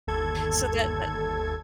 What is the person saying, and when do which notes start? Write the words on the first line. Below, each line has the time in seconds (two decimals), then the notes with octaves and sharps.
so that that
0.07 G1 D#2 A4 G#6